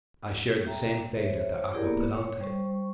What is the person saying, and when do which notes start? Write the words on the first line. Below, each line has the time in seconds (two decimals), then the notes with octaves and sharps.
"I shared the same fate at Aquapendente."
0.66 E5 G5 A#5
1.14 C5 C#5 E5
1.73 E4 G4 G#4 A#4 D5
1.85 A#3 B3
2.14 C#5
2.40 G3 C5 C#6